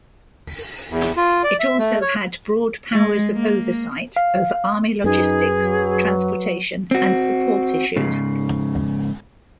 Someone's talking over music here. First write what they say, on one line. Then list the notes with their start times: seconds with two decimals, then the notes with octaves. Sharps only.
It also had broad powers of oversight over Army logistics, transportation, and support issues.
0.89 E2
1.17 F4
1.43 D5
1.60 E5
1.78 A3
2.01 C#5
2.92 G#3
3.35 A#3
4.16 F5
5.04 F#2 D#4 G#4 B4
5.57 F#3
6.91 C4 F#4
7.96 G#2 C#3